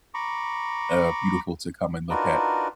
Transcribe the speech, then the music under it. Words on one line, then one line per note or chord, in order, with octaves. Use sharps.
uh, beautiful to come and look at.
A#5 B5 C#6 D6
D4 D#4 F4 F#4 A#4 B4